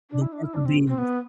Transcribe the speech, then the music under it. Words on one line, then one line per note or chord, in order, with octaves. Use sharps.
the worker bees.
D4
E4
D4
E4
D4
C4
C4
B3